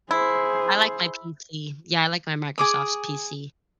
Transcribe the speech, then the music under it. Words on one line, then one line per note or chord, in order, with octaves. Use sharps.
I like my PC, yeah, I like my Microsoft's PC.
E4 G#4 C5
G#4 D6 D#6